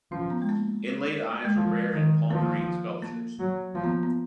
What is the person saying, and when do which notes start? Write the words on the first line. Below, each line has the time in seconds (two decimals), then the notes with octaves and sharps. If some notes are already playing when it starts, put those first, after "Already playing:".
Inlaid eyes are rare in Palmyrene sculptures.
0.11 F3 C#4
0.30 B3
0.42 G#3
0.49 A#3
1.33 A#3
1.45 G#3
1.57 F3
1.93 D#3
2.30 F3 A#3
3.02 A#3
3.39 F#3
3.75 F3 A#3
3.84 B3
4.03 B3